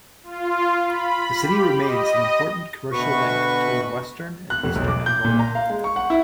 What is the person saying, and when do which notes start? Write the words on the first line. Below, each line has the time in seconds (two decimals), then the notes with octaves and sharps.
The city remains an important commercial link between western and eastern Angola.
0.23 F4
0.84 B5
1.38 G4
1.81 D#5
2.92 D2 B2 F#4 B4 C#6
4.50 F#6
4.63 F1
4.76 B1
4.88 D6
5.06 G6
5.24 A#2
5.39 A#5
5.55 F5
5.69 G#3
5.84 C#6
5.96 F#5
6.10 E4